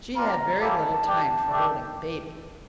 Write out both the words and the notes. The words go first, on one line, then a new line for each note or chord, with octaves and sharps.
She had very little time for holding a baby.
G3 D4 F4 A#5
A#3 C#4 E4 G4 A5
G3 D4 G4
A3 D4 G4